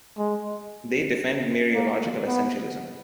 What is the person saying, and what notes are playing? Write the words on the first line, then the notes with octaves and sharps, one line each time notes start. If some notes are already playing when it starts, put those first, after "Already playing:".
They defend mereological essentialism.
G#3
A#3
B3